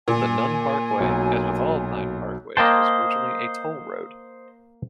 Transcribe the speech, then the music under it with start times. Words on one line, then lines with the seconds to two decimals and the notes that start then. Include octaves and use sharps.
The Nunn Parkway, as with all nine parkways, was originally a toll road.
0.08 A#2 G#5
1.00 B1 F#3
2.57 A#3 C5 D#5 G5 A5